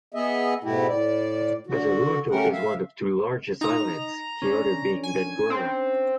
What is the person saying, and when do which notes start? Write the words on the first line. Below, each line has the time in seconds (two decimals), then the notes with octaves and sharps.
Bazaruto is one of two largest islands, the other being Benguerra.
0.14 B3 G#4 D#5 E5
0.64 G#2 B2 A3 E4 F#4 G4
0.88 A2 D5
1.67 D3 F#4
2.30 A3 C#4 G4 A#4 F#5
2.52 E5 F5
3.61 D#4 A#5
4.42 C#4 D4
5.03 G#5
5.50 C4